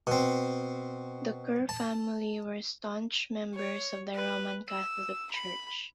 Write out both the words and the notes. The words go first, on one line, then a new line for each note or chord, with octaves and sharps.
The Kerr family were staunch members of the Roman Catholic Church.
B2 C4
A5
C#5
B4
E6
B5